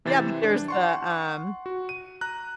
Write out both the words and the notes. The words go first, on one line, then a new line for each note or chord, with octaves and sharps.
Yeah, but there's the, um
C3 E3 C5 A6
D4
F#5 C6 C#6
F#4
D#7
A#5 F#6